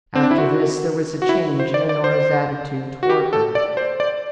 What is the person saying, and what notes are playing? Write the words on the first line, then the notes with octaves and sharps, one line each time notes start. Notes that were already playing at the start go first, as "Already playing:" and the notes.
After this, there was a change in Honora's attitude toward her.
C4
D4
E4
F#4
F#4
E4
C5
D5
D5
C5
F#4
G4
A4
D5
C5
D5